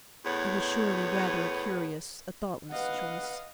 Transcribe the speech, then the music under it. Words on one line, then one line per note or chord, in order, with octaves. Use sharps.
It was surely rather a curious, a thoughtless choice.
E2 A2 B3 C#5
B4 D#5 F5 F#5